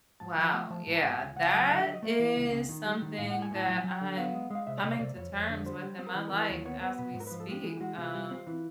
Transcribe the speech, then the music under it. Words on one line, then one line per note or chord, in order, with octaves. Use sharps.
Wow, yeah, that is something that I'm coming to terms with in my life as we speak, um
G#2 A5
F3 G#5
A3 G5
F3 A5
G#2
A5
G#2
A5
C#2 G#5
C#2 F#5
F#3 F#5
D3 F5
E5
F#3
D#5
A3 E5
E3
C#2
C#3
D#3
G3
D#3
A2 F5
F#5
A2
G#5
A2 A5
F#3 G5
F#3 G#5
G5
D3
B3 F5
G#3
G#3 F5
C3 E5
D5
C3 D#5
C#5
C3 D5
F2 C#5
F2
D3
G3 C5
G3
C4
A#4
E3 B4
A#4
E3
B4
D#2 C#5
B3 C#5
B3 C5
B2 B4
G#2
A#4
B4
F3
A4
G#3 G4
E3 G#4
G4
G#3 F#4
C3 F4
G3
C4
E3